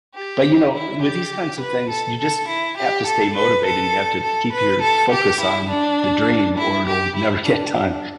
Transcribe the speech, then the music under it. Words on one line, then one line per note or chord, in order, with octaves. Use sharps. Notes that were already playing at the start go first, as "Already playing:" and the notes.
But, you know, with these kinds of things, you just have to stay motivated and you have to keep your focus on the dream or it'll never get done.
G4
E4
G4
B4
A4
A4
E4
G4
A4
B4
A4
A4
B4
A4
G4
E4
D4
E4
G4
E4
D4